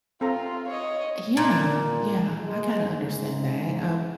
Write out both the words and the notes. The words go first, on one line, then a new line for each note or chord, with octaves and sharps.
Yeah. Yeah. I kinda understand that. Um,
C4 F4 A4 A#5
C#5 D#5
A#2
G#3
G#2